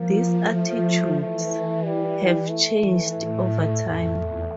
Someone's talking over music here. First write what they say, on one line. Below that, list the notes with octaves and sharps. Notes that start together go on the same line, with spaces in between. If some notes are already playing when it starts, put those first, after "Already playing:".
These attitudes have changed over time.
Already playing: F3 A#3
A3
E3 A3
G3
A3
E3
A2
F2
E2